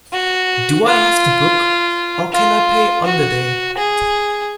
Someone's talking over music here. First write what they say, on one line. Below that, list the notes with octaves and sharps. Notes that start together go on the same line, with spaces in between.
Do I have to book, or can I pay on the day?
F#4
F4
F4
F#4
G#4